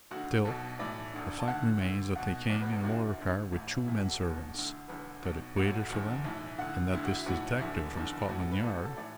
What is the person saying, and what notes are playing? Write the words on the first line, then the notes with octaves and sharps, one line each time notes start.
Still, the fact remains that they came in a motor car with two men-servants; that it waited for them; and that this detective from Scotland Yard--Mr.
D2 D3 F#4
B1 B2 A4
B1 A2 E3 D5
E1 D2 D3
A5
D2 D3 F#5
D2 D3
B1 B2 F#5
E1 E2 B2 D5
B4
A4
F#1 F#2 D3 F#4
D2 D3
A1 A2 E3
E1 E2 E3 E4
F#4
A4
E1 E2 B2 A4
D2 D3
E1 E2 D3 B4
B1 B2
A1 A2 E3 F#4
F#4
A4
F#1 E2 D3
B1 A2 E3
D2 D3 F#5
D2 D3 E4
F#4
E4
B1 A2 E3 F#4
F#1 E2 D3 E4
F#1 E2 D3
B1 A2 E3 F#4
A4
B4
A1 A2 E3 A4
F#4
A4
A2 E3 D5